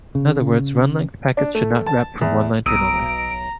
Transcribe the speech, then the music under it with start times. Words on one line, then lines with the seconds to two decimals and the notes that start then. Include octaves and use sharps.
In other words, Run-length Packets should not wrap from one line to another.
0.15 C#3
1.37 D4
1.55 A3
1.86 A5
2.21 E2
2.66 B1 A#5 D#6 E6 D7 D#7